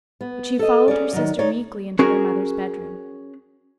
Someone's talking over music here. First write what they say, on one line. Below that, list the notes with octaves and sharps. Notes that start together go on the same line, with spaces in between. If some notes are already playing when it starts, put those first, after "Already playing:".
But she followed her sister meekly into their mother's bedroom.
B3
A4 D#5
C#4 G#4 D5
D#3 F#3
D#4 C#5 D5
C#4 F#4 G#4 A#4